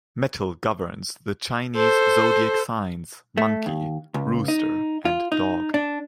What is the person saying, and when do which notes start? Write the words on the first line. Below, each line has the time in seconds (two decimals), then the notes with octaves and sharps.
Metal governs the Chinese zodiac signs Monkey, Rooster and Dog.
1.76 A4 C5
3.38 A3
3.66 D#2
4.14 C#2
4.48 D#4
5.05 F4
5.32 D#4
5.74 D4